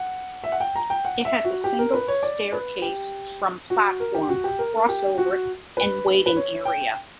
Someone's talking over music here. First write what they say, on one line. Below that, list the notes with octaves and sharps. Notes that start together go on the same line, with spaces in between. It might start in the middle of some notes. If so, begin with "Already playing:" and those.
It has a single staircase from platform, a crossover, and waiting area.
Already playing: F#5
E5
F#5
G5
A#5
G5
F#5
E5
F#4
G4
A#4
B4
C#5
D5
B4
G4
F#4
A#4
G4
F#4
G4
A#4
G4
F#4
B4
B4
C#5
G5